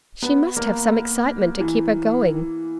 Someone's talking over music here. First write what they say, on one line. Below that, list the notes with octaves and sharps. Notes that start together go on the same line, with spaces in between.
She must have some excitement to keep her going.
B3
A#3
E3